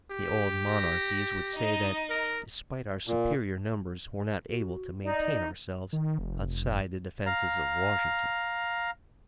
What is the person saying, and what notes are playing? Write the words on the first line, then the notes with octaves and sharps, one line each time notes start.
The old monarchies would say that despite our superior numbers we're not able to maintain ourselves outside the defenses of Washington.
G4
A#6
D#4 D#5
A#4
A#2
F#4
D#4 D5
D#3
F1
F5 A#5